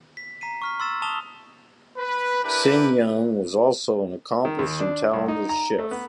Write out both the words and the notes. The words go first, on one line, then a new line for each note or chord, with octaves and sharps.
Sen Yung was also an accomplished and talented chef.
B6
A#5 B6 C7 D#7
C#6 F6 B6
C6 E6 A6 E7
A5 D#6 E7 F7 G7
B4
D4 E4 G4 A#4 B4
D#3
D#2
D4
C2
D#4
A#5
A3
B3